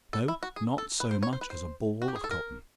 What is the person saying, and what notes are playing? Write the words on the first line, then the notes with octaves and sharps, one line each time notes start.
No--not so much as a ball of cotton.
A4
E4
F#4
G#4
A4
B4
C5
C#5
C5
B4
C5
F#4
G4
G#4
A4
A#4